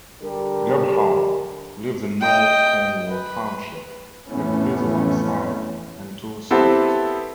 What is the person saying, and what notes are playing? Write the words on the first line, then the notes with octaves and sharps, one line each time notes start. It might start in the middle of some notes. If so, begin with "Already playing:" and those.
Gebhard lives in North Cornwall Township with his wife Sarah and two sons.
D3 G3 G4 A#4
D#5 G5
B4
F2 A2 E3 A3 B3 C#4
B3 C4 E4 G4 A4 B4